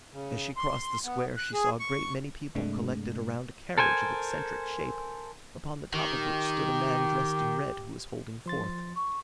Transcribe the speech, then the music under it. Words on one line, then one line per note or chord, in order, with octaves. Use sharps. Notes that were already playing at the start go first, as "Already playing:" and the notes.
As she crossed the square, she saw a great many people collected around a carriage of eccentric shape, upon the top of which stood a man dressed in red, who was holding forth.
C#3
C6
B3
F#6
G#4
C#6
G2 C3 G#3 A3 D4
A4 A#4 C5 G#5
D#3 G4
F3 C6 A6
C#6